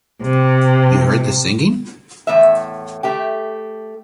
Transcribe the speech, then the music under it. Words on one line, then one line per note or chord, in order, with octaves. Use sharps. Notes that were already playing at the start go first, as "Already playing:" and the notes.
You heard the singing?
C3
E2 A2 E5
A3 G4 G5